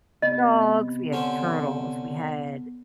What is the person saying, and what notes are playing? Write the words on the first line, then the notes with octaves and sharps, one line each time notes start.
dogs, we had turtles, we had
C3 B3 D#5
D3 C#4 C5